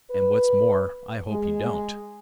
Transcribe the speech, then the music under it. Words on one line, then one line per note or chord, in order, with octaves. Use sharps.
"And what's more, I hope you don't."
B4
G#3